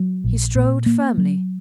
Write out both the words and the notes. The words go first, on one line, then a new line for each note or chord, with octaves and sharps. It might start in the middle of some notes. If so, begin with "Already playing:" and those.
He strode firmly.
Already playing: F#3
A#1
A#2
A#3
F#3